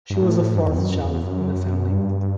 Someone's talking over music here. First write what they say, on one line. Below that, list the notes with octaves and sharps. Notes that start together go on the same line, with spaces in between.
She was the fourth child in the family.
G2
A2
G2
E2
F#2
E2
F#2
G2